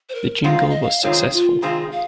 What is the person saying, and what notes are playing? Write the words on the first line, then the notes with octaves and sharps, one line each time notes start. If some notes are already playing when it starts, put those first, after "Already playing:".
The jingle was successful.
C5
A#4
F#2 D#3 G#3 C4 F4 F#5
F5
D#5
F5
C3 D#3 G#3 C4 F4 C#5
F4
C3 D#3 G#3 C4 F4 G#4
F5